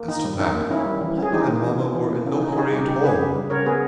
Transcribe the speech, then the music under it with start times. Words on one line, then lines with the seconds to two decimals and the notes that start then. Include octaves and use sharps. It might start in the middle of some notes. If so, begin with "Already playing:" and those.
As to that, Papa and Mamma were in no hurry at all.
Already playing: A#3
0.08 D#3 D#4
0.24 G3
0.39 C#4 D#4
0.55 A#3
0.70 D#3 C#4 E4
0.86 G3
1.01 E3
1.17 C#4
1.22 G#4
1.32 E3 D#4 G4
1.48 A#3 D#4
1.64 E3
1.80 C#4
1.95 E3
2.10 A#3
2.26 C#3 C#4
2.41 C#4 D#4
2.53 G#4
2.57 C#3 D#4 G4
2.72 G3 D#4 G4
2.88 C#3 D#4 G4
3.04 C#4 G#4 B4
3.19 C#3
3.35 G3
3.50 C#3 A#4 C#5
3.66 B3 G#4 B4